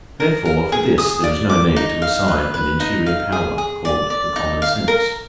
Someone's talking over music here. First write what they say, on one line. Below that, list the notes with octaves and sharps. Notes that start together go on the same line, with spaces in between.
Therefore for this there is no need to assign an interior power, called the common sense.
A#4
A#4
G#4
D#6
D5
D6
D#4
F5
B4
B4
D#4
F5
G#4
G#4
D5
D5
D#4
F5
A#4